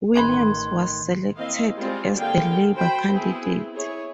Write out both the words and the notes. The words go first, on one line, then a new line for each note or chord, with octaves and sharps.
Williams was selected as the Labour candidate.
A1 D#3 C#4 B4 B5 C6 F#6 G#6
A#3 C4 E4 D#5 F5
G3 G#3 C4 F4
D3 G3 A#3 G#4 F5 G5
F#4 C5 G5 B5
B3 C4 E4 G#4
E4 G#4 C#5